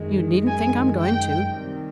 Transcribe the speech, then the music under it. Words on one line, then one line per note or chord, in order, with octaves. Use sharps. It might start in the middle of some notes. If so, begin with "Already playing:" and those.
You needn't think I'm going to.
Already playing: F#2 D#3 G#3
G#5
G5
C3 D#3 G3